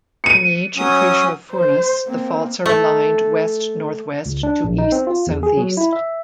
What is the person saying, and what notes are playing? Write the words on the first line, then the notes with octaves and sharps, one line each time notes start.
In the ancient crater of Furnas the faults are aligned west-northwest to east-southeast.
C#7 D#7
F#3 C#4 D#6
C5
A#3 C4
A3
C#2
D4
A#1
D#4
C4
F4
E2
G#4
F#3
E4
E5